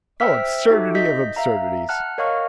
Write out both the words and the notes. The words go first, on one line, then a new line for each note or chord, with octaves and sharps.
Oh, absurdity of absurdities!
C5 E5 G5 E6 F6 B6
D#4 F#4 G4 A4 E5
D#5 G6 B6
E5 F5 A#5
F#5 A5 F6 F#6
A#4 C#5 D#5 F5 C#6 F6